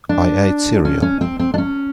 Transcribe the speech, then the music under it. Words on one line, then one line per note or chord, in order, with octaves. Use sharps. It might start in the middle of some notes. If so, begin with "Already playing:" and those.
I ate cereal.
D4
C#4
C#4
C4
C4
D4
C#4